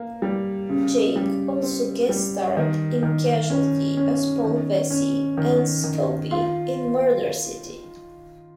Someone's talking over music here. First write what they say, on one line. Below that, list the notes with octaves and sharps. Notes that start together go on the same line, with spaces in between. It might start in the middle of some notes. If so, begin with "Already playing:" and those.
Jake also guest starred in "Casualty" as Paul Vessey and Scobie in "Murder City".
Already playing: A#3
G3
C#3
G3
C4
G3
D#3
D#3
C#4
C#4
D#3
C#4
D#3
D#3
F4